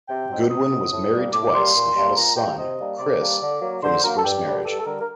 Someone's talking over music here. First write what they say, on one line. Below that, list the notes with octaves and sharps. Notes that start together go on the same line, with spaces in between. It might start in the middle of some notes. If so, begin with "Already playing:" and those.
Goodwin was married twice and had a son, Chris, from his first marriage.
C3 G5
F#3 C4 D#4
C3 D#6
F#3 C4 D#4
A2
G3 A#3
A2 D6
G3 A#3 C6
A#2
G3 A#3 D4
A#2 A#5
G3 A#3 D4 G5
C3 D#5
G3 A#3 D4
C3 D5
G3 A#3 D4
D3
F#3 A#3
D3 C5
F#3 A#3 A#4
A4
G2 G4
D3 G3
G4
G2 A4
A4
D3 G3 A#4
A#4